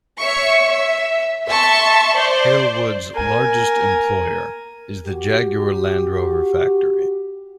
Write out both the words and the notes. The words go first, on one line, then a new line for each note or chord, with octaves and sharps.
Halewood's largest employer is the Jaguar Land Rover factory.
C#5 E5 C#6
E5
E5 A5 C6 C#6
C5 D5
A#4 G#5
F#4 G4